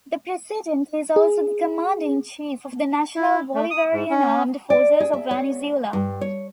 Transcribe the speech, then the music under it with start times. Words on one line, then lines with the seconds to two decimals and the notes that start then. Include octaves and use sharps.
The president is also the commander-in-chief of the National Bolivarian Armed Forces of Venezuela.
1.16 G#4
3.16 E4
3.54 A3
3.71 D#6
3.92 G#2
4.10 C#4
4.70 D5
5.00 G#4
5.13 E5
5.31 C#5
5.93 G2
6.21 C#5